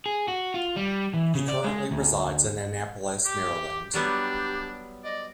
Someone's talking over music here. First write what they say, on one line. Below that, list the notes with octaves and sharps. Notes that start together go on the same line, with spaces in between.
He currently resides in Annapolis, Maryland.
G#4
F#4
F4
G3
E3
C#3
D5
G#3
D2
G4 D6
F#3 G3 B3 D4 G4
D5 D#5